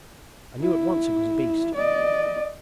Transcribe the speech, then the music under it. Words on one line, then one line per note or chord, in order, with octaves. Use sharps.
I knew at once it was a beast.
E4
D5 D#5